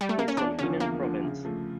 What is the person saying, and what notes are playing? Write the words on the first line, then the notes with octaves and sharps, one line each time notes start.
He is from Henan province.
G3
A3
A#3
C#4
E2 D4
D3 F3 C#4
E2 A#3
D3 F3
C#3
F3 A3